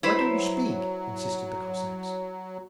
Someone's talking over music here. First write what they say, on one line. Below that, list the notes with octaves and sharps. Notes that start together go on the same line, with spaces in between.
Why don't you speak?' insisted the Cossacks.
F#3 E4 B4 C5